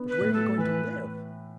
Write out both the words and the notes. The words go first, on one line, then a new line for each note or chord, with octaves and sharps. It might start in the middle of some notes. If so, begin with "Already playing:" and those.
"But where are you going to live?"
Already playing: B3 D4
B4
A2
A4
E3 B4